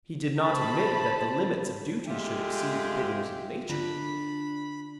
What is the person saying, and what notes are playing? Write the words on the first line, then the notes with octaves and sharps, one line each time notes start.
He did not admit that the limits of duties should exceed the biddings of Nature.
A3 C5 A5 B5
G#3 A3 F4 G4 E5 G5
D3 D4 F4 B5